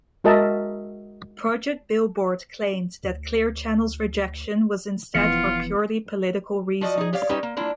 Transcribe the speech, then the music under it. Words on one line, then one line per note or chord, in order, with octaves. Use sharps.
Project Billboard claimed that Clear Channel's rejection was instead for purely political reasons.
G#3 F#4 A#4 D#5 E5 A5
D2
F1 E3 F3 B3 F4 C#7
F3 F#4 D5 D#5
D#4 G#4
G4 C#5 D5 F5
G3 C#4 D#4 G4 B4
A#3
A#3 D4 E4 F4